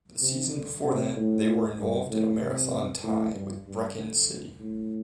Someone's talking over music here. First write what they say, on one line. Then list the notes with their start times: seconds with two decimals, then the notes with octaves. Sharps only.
The season before that, they were involved in a marathon tie with Brechin City.
0.22 C3
0.53 D3
0.84 C3
1.16 A2
1.79 G2
2.10 A2
2.41 C3
3.03 A2
3.35 G2
3.67 G2
3.98 D3
4.60 A2